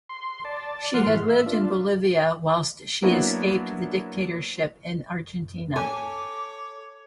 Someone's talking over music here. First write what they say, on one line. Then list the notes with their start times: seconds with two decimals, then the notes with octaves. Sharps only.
She had lived in Bolivia whilst she escaped the dictatorship in Argentina.
0.09 C6
0.45 D5 A5
0.94 F3 A#3 F#5 C6 F6
1.06 G#2 E3
1.28 E5
1.46 D4 F4
3.02 F#3 A#3 B3 D4 E4 F#4
5.76 A4 C#5 G#5 D6